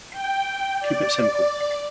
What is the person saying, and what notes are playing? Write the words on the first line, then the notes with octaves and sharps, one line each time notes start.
Keep it simple.
G5
D5